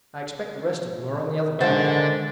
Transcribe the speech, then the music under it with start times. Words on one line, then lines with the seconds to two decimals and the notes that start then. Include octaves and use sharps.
I expect the rest of them are on the other bank.
1.60 G#2 D3 D#3 G#3 D4 C5 F#5 A6